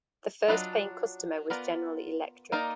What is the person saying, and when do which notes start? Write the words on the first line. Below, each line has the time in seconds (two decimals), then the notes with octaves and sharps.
The first paying customer was General Electric.
0.48 F#3 D4 F4 B4 D#5
1.50 B3 F4 A#4 D5
2.52 A#3 D#4 A#4 D5